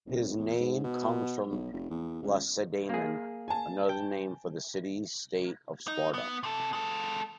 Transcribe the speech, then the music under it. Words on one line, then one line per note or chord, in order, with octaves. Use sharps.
His name comes from Lacedaemon, another name for the city state of Sparta.
F#1
C2
E2
G#2
B2
B1
F1
E2
C#2
A#3 G#4
G#5 A5
G5
D#4
B3
C3 A4
G#3 A4